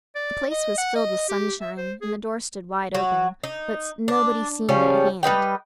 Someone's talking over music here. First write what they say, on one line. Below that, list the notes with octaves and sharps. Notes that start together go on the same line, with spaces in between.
The place was filled with sunshine, and the door stood wide open; but nobody seemed at hand.
D5
D#5
F#5
D#5
G4
E5
C5
G#4
F#3 F#4
D#4
D4
C#3 F3 G3 C#4
G3 B4 D#5 G5